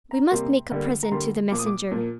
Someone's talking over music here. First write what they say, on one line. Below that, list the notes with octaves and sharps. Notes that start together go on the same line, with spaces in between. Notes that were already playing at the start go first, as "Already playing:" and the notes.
"We must make a present to the messenger."
A#5
C3 G3 A#3 C6
D3 G3 A#3
A#5
D3 G3 A#3 C6
A#2 F3 A#3 D6
D#6
D6
A#2 F3 A#3